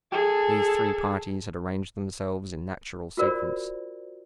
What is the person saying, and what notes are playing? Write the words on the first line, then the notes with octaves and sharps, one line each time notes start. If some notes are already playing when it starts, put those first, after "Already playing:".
These three parties had arranged themselves in natural sequence.
G#4 A4
F4 F#4 A#4 C5 D5